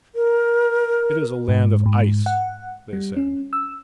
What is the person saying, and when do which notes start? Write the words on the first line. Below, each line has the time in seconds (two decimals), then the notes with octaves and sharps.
"It is a land of ice," they said.
0.15 A#4
1.48 G#2
1.86 G#2
2.26 F#5
2.93 G3
3.16 C#4
3.53 E6